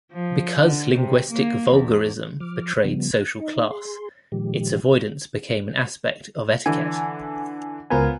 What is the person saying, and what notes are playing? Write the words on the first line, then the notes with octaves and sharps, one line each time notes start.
Because linguistic vulgarism betrayed social class, its avoidance became an aspect of etiquette.
F3
D3
C3
A#3
E2
F3 D6 F6
C#3 F3 G3 B3
F#6 A#6
D#4 D#5
G#4 C6
A#2 D#3 F3 G#3 G4
D3 E3 G#5
C#2 B3 F4 A#4 C5 G#5